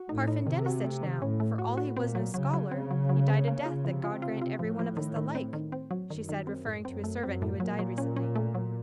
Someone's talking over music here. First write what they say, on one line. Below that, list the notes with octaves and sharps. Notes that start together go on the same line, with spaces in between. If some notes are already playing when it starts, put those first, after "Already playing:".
"Parfen Denisitch now, for all he was no scholar, he died a death that God grant every one of us the like," she said, referring to a servant who had died recently.
Already playing: F#4
A2 D#4
D#4
C3 D#3
F#4
A3
D#3
A2 C#4
A3
A2 F#4
F#4
A#2 C4
F#3
C#3 F#3
F#3
C#3 C4
F#3
F#3
C4
A#3
F4
C3 F3
F4
F4
F4
A2 F3
F3
D#3
D#3
C4
D#3
C4
F#3
F#2 D#3
D#3
C4
A2
F#2 C4
A3
F#2 C4
A2
A#2 F#3
F#3
C#4
C#4
A3
F#3